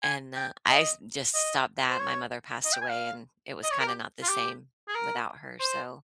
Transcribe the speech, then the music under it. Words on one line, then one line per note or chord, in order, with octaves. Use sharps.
And, uh, I s just stopped that. My mother passed away, and it was kinda not the same without her. So
G#5
G5
D#5
D#5
C5
C#5
D#5
G5
G#5
F5
D#5
C#5
A#4
G4
F4
G4
G#4
A#4
C5